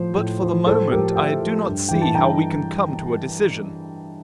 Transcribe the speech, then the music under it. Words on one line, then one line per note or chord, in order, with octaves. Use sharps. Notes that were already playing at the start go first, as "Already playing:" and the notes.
But for the moment I do not see how we can come to a decision.
Already playing: A2 F3 C5
A2
F3
A2 A4 C5
F3 G4 A#4
A2 E5 G5
F3
G2
E3 G5
A5
G2 G5 A#5